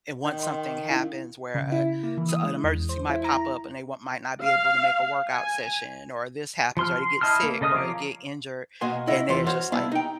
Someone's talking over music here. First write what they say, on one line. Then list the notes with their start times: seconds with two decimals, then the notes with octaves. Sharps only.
and once something happens where a so, an emergency might pop up and they want might not be able to make a workout session or this happens or they get sick or they get injured, and they are just, like
0.25 D#3 G6
0.40 D#5 C6
0.58 G5
0.89 C#4 E4 F5
1.55 C#3
1.72 E4
2.03 A#3
2.17 E3
2.29 D#6
2.43 G#3
2.64 E2
2.89 C5
3.10 E4
3.24 A#5
4.42 F5
5.30 G#5
6.77 F3 C6 F6
6.99 C6
7.21 E4 D#5 A5 C6 F6
7.43 A#3
7.61 C#3 A4 D#5 D#6 F6
7.74 F3 C#5 F5 A#5 D6
8.81 B2 A#3 F#4 D#5 G#5 C6
9.07 E4 C#5 D#5 F#5
9.29 E2 E3 F4 C6
9.46 F#4 C5 C#5 F5
9.72 C2 B3 D4 E4 F5
9.92 D#4 G5